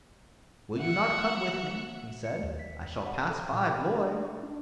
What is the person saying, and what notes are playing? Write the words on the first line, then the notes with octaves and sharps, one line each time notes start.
"Will you not come with me?" he said; "I shall pass by Blois."
E5 F#5
C#7
D#2
B6
F#5
A4
A#2
B5
D4
C#6
D4